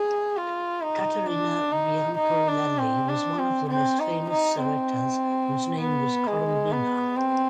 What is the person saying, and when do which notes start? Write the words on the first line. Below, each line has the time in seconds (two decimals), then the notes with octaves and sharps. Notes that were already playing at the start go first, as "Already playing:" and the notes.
Caterina Biancolelli was one of the most famous serettas whose name was Colombina.
Already playing: G#4
0.37 F4
0.82 D#4
1.27 D4
1.72 D#4
2.18 D#4
2.48 D4
2.78 C4
3.09 D4
3.39 C4
3.69 C4
4.00 D#4
4.30 D#4
4.60 C4
5.81 B3
6.27 G#3
6.72 B3
7.17 C4